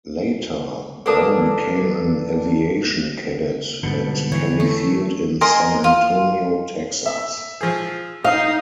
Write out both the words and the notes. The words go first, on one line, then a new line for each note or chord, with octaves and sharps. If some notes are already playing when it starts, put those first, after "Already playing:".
Later, Brown became an aviation cadet at Kelly Field in San Antonio, Texas.
A#3 D4 A4 B4 A5 D#6
G#2 B2 D3 G3 B3
E3 C#5
A3
A#4 D#5 G#5 C6
F4
E5
F3 G#4
D#4 D#5 F5